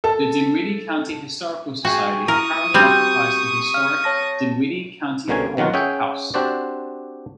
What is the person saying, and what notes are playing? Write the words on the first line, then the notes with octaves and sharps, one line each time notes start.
The Dinwiddie County Historical Society currently occupies the historic Dinwiddie County Court House.
A4
F#4 G#4 G5 C#6
E4 A#4 C#6 D#6
G3 C4 F#4 G#5 G6
F5 F6
C#5 A5 A#6
C2 B2 D3 A#3 C#4 G#5
B2 D#3 F#3 F4 F#4
C#4 G#4 E5 F#5 G5
C4 D4 F#4 G4 C5 D5